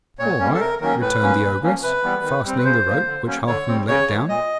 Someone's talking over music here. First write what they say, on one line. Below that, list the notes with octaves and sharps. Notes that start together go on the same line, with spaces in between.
'All right,' returned the ogress, fastening the rope which Halfman let down.
A#2 C#5
G3 A#3 C#4
A4
C3 A#4
D#3 F#3 A#3 C#4 A#4
A2 B4
F#3 A#3 C#4
A#2
F3 A#3 C#4
C3 B4
E3 G3 B3
D#3
G3 C4
B4
C#3 C5
F3 A#3
D3
F#3 A#3 C#4
D3 C#5
G3 C4
C#3 C#5
E3 A3
A#2 D#5